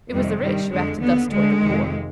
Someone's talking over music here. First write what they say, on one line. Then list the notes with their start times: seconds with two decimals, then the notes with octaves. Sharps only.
It was the rich who acted thus towards the poor.
0.12 F2 C3 D#3 G3
0.41 G2 D#3 G3
0.72 F2 D3 G#3
1.01 D#2 D3 B3
1.31 D2 D3 G#3
1.60 F2 C3 D#3